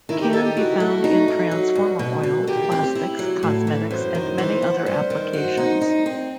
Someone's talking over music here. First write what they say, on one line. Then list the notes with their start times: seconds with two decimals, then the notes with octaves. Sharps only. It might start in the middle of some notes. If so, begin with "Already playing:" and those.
Can be found in transformer oil, plastics, cosmetics, and many other applications.
0.09 D#3 E4
0.20 G4
0.33 D#4 A4
0.44 G4
0.56 E4 F#4
0.80 A3
1.04 D#4
1.28 D#4
1.51 F#3 F#4
1.75 G2
1.99 B2
2.23 B2
2.41 A4
2.47 D#3 G4
2.72 C4
2.95 E4
3.19 F#3
3.43 A2
3.67 E3
3.91 F#2 C5
4.15 D#3
4.38 E3
4.62 B3
4.86 G2 C5
5.10 D#3
5.33 F#4
5.57 D#4
5.81 D#4
6.06 C4